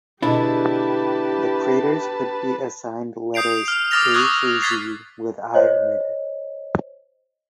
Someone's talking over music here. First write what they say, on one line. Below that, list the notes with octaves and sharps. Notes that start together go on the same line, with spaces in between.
The craters could be assigned letters A through Z, with I omitted.
B2 D3 G#3 D4 E4 G4 B4 A5
D#6 G6 C7 D7 F7
F6
D6 D#6 F6 A6 A#6 F7
C#6 D#6 E6 F#6 G#6 F7
F6
D#6 F6 G#6 A6 B6 C7
C5 C#5 D#5